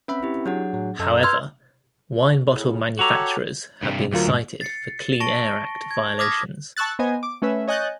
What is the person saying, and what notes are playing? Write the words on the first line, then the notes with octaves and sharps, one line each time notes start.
However, wine-bottle manufacturers have been cited for Clean Air Act violations.
C4 C#4 B4 E5 B5
E4 G4
F#3 D4 G#4 F#5
A2 F#3
F#2 A4 D#5 A#5 E6
B4 C6 E6 F6 G6 G#6
A2 C#3
F#4 G4 A4 C#5 A#5
G2 C3
D2 F#3 F4 A#4
G#2
A6 C7 C#7
A5 C#6 A#6 D7 G7
G#6
D6 D#6 F6 G#6 A#6 B6
A5 C#6 E6 F#6 A6
B3 C5 D#5 G#5
D6
A3 C#4 B4 E5
C#5 D#5 G#5 F#6 G6 A6